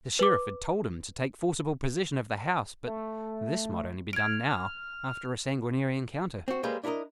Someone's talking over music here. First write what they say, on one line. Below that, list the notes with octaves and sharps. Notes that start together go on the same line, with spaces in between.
The Sheriff had told him to take forcible possession of the house, but this might only be done now after a sanguinary encounter.
B4 D6
A3
F6 G#6 D7
C4 F#4
G3 G#3 A#3 B4 C5
D4 E4 A4 A#4 D#5